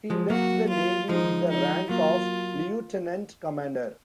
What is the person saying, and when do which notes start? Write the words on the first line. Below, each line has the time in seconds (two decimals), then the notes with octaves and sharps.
He left the navy with the rank of lieutenant commander.
0.10 F3 G#3
0.30 F#3 A#3 F#4
0.69 F4
1.09 F3 G#3 D#4
1.50 D#4
1.89 F#3 A#3 F4